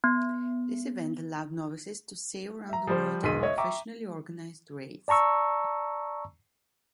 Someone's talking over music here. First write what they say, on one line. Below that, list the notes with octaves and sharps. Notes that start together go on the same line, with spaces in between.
This event allowed novices to sail around the world in a professionally organised race.
B3
E5 A#5
F3 G3 C5
E1 B1 G#3 C6 B6 D#7
C#5 D#5 E5
E5 G5 A#5 C#6 D6
D5 A5 A#5 C#6 E6